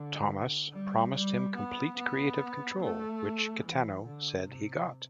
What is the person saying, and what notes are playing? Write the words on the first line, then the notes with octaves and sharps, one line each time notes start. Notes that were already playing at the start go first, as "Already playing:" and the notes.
Thomas promised him complete creative control, which Kitano said he got.
Already playing: D3
G3
G3
B3
B3
A3
E3
D3
C3